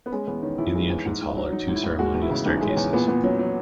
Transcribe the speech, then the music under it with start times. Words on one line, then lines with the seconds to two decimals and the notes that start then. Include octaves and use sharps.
In the Entrance Hall are two ceremonial staircases.
0.06 B3
0.12 G#3 C#4
0.27 E2 B3
0.43 D#3 C#4
0.58 E2 E4
0.75 G#3
0.90 E2
1.05 G#2
1.21 G#2
1.37 F#3
1.52 F#3 D#4
1.68 G#2
1.75 E4
1.83 G#2
1.99 G#3 F#4
2.14 E2
2.22 E4
2.30 C#3
2.46 E2 D#4
2.61 G#3
2.69 C#4
2.77 E2
2.93 A#2 B3
3.08 A#2 B3
3.24 F#3 C#4
3.39 F#3